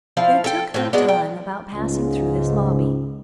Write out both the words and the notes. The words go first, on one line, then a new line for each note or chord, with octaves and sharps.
They took their time about passing through this lobby.
F3 E4 F5
A4 G5
A2 C4
F#3 G#3 B3 D4
G5
C#2 G#2